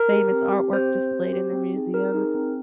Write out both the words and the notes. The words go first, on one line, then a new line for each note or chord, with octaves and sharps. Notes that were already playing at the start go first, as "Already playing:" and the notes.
famous artwork displayed in the museums.
Already playing: A#4
G4
C4
G4
C4 C5
G4
C4
G4
C4
D#4 G#4
C4 A#4
D#4 G#4
C4